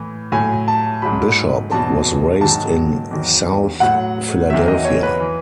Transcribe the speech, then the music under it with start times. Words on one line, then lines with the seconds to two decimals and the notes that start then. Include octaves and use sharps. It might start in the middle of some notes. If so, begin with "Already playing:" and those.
Bishop was raised in South Philadelphia.
Already playing: A2 E3
0.32 A2 F#3 G#5
0.68 A5
1.02 G#2 F#3 B5
1.72 E2 B2 F#3 A5
2.41 G#2 D#3 F#3 A5
3.11 E2 D#3 F#3
3.80 A2 F#3 F#5
4.50 E2 D#3 F#3 E5
4.68 D#5
4.85 C#5
5.03 B4
5.20 E3